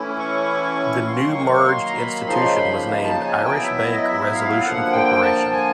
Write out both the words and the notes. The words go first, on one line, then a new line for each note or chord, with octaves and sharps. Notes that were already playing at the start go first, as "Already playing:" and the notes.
The new merged institution was named Irish Bank Resolution Corporation.
Already playing: A2 E3 A3 C#4 E4
C#6
D#3 F#3 A#3 C6
C#6
C#6
C6
A#5
B5
C#3 F3 A#3 D#4 C6
B5
A5
G#5
F#3 B3 E4 G5
E5
D#5
E5
F5
D3 F3 A#3 F#5
G5
A5
G#5